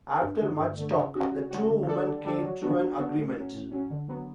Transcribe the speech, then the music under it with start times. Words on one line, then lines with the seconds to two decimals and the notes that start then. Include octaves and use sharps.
After much talk, the two women came to an agreement.
0.23 G2
0.41 D3 A3
0.59 G2
0.78 D3 A3
0.96 C#3
1.15 G3 C#4 F#4
1.32 C#3
1.51 G3 C#4 F#4
1.69 D3
1.88 G3 D4 A4 D5
2.07 D3
2.24 G3 D4 A4 D5
2.43 F#3
2.62 B3 D4 F#4
2.80 F#3
2.98 B3 D4 F#4
3.16 A2
3.36 F#3 C#4
3.54 A2
3.71 F#3 C#4
3.90 D3
4.08 F#3 B3